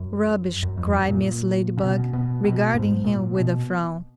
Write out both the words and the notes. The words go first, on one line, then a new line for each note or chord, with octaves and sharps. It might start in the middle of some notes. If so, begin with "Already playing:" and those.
"Rubbish!" cried Mrs. Ladybug, regarding him with a frown.
Already playing: F#2
F#2
F2
F#2
A#2
C#3
B2
B2
B2
G#2
A#2
B2